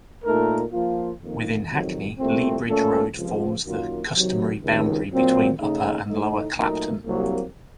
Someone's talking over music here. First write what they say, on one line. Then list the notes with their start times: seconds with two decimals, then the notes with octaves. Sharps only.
Within Hackney, Lea Bridge Road forms the customary boundary between Upper and Lower Clapton.
0.23 A#2 A3 D#4 A#4
0.72 F3 A#3 F4
1.20 F2 D#3 A#3
1.69 F2 C3 D#3 F#3
2.18 C2 A#2 A3 C4
2.67 A#2 A3 C#4 A4
3.15 C#2 C3 F3
3.65 F#2 D#3 F#3 A#3 F4
4.13 C3 D#3 F#3
4.61 C#2 C3 D#3
5.11 A#2 F#3 C4
5.59 C#3 A3 D#4
6.08 A2 A3 D#4
6.56 A#2 F#3 A3 D#4 A#4
7.05 C2 C3 F#3 A#3